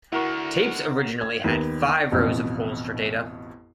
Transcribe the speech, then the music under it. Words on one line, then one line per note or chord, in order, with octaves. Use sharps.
Tapes originally had five rows of holes for data.
D2 D3 E4 F#4 A#4 C#6
G#6
D#2 B3
A1 F2 B2